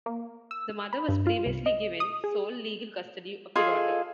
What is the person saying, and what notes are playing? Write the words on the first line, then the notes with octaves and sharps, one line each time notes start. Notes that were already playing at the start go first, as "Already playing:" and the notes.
The mother was previously given sole legal custody of the daughter.
A#3
E6
B5
G2
F4
C2
D#5
D#6
G#4
F4 G#4 A4 D#5